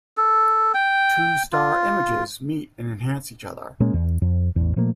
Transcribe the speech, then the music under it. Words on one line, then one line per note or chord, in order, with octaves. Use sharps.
Two star images meet and enhance each other.
A4
G5
F4
A#2 G#3 A#3 C#4
E2
F2
A1 E2
A#2 F3 A3 A#3